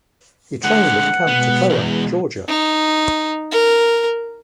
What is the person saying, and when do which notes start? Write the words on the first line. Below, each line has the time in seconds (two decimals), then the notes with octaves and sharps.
He trained at Camp Toccoa, Georgia.
0.64 D3 G#3 F#5
1.28 B2 G#3 B3
1.70 B1 E2
2.48 D#4
3.52 A#4